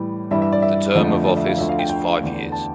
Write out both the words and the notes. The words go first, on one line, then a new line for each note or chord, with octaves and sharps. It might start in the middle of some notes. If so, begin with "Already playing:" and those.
The term of office is five years.
Already playing: A2 E3 G3
G2 E3 G3 E5
E5
D5
E5
F2 D3 F3 A3
D5
E5
F5
D2 D3 F3 E5
F5
G5
G5
E2 D3 A3
A5